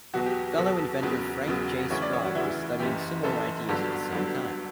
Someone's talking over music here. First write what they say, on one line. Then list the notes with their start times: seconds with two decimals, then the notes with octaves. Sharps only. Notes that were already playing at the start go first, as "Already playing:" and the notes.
Fellow inventor Frank J. Sprague was studying similar ideas at the same time.
0.14 E2 B2 F#3 F#4
0.26 G4
0.58 E2 B2 F#3 A4
1.02 E1 E2 C#3 F#3
1.47 E1 E2 C#3 F#3
1.91 D2 C#3 E3 C#5
2.02 D5
2.13 C#5
2.25 F#4
2.35 D2 C#3 E3 E4
2.79 F#1 F#2 E3 G4
3.23 F#1 F#2 E3 A4
3.69 G1 G2 D3 F#3
4.12 G1 G2 D3 F#3